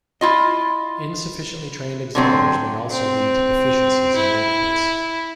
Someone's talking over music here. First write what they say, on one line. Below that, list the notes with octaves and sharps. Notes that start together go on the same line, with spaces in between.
Insufficiently trained examiners may also lead to deficiencies in rape kits.
E4 F4 D#5
D3 F#3 C4
C4
E4